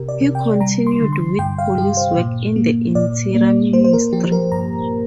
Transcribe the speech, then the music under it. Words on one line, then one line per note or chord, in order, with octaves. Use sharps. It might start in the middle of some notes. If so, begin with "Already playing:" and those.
He continued with police work in the Interior Ministry.
Already playing: C3 G4 A#4
D5
C3
G5
G3 A#5
C6
D3
C6
G2 G5
F5
G2 G4
C5
A#2
A#3
A#2 D5
A#3
A#3 C5
C5
A#4
F3 G4
A#4
G2 A#5